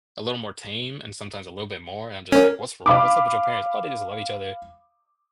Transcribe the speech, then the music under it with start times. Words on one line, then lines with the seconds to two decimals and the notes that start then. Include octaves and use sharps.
a little more tame and sometimes a little bit more, and I'm just like, "What's wr what's up with your parents?" "Oh, they just love each other,"
2.32 C#4 A#4
2.86 F5 B5 D6